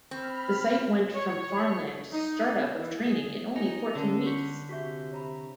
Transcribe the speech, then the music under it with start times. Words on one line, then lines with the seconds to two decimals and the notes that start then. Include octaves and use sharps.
The site went from farmland to start-up of training in only fourteen weeks.
0.11 C4 B5 F6
1.14 C#5
2.12 D#4
2.79 E3
2.96 G#4
3.56 D#4 G4 D#5 G#5 A#6 C#7
3.95 D3 C#4 C#5 D5 A5
4.26 C#6 G6 B6 C#7
4.69 C3 F#4 G#4 E5 C#6 G6 B6
5.12 C#5 A#5 B5